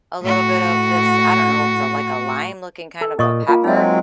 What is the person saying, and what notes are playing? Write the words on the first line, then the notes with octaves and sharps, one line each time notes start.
a little bit of this I don't know if it's a like a lime-looking kind of a pepper.
A2 F#4
A4
A#2 D#5 C#6 D#6
A#3 F4
F#3 G#3 C4 D#4 E5